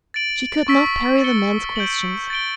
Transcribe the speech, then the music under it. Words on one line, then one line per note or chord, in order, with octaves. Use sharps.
She could not parry the man's questions.
A6 D7 F#7
C#6 E6 B6 D7
A6 C#7 G7
G6 D7 F#7
A6 D7 G7